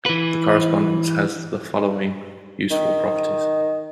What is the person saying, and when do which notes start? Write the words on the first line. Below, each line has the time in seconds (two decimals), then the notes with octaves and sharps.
The correspondence has the following useful properties.
0.06 E3 B4
2.71 D#3